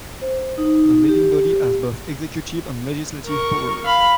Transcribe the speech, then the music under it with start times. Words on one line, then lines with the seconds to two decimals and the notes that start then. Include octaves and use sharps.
The Leading Body has both executive and legislative powers.
0.22 C5
0.58 D#4
1.09 G4
3.26 A#4 C#6
3.83 F5 B5